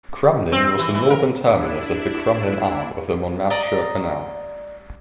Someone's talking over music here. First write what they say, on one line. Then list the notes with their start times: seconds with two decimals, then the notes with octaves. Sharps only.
Crumlin was the northern terminus of the Crumlin Arm of the Monmouthshire canal.
0.52 C4
0.79 E3
0.95 E3
1.10 A#4
1.49 D4 E4
3.50 D5 D#5 A#5